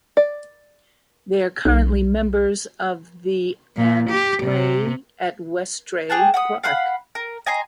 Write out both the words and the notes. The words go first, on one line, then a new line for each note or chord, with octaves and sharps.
They are currently members of the and play at Westray Park.
D5
B1
A#2
G4
C3
G4 G#4 F#5 A5
F#5 B5 D#6
F5 F#5 B5
A#4
D#5 G#5 A#5 C6